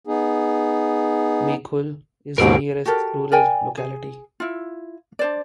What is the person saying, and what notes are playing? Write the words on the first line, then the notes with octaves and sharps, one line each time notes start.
Mezhgyul is the nearest rural locality.
B3 D#4 G#4
D#2 G#2 B2 G4 G#4 A#4
F#4 G4 A4 A#4
A#4 D5 G5 G#5
G#4
E4 F4
D4 C5 D5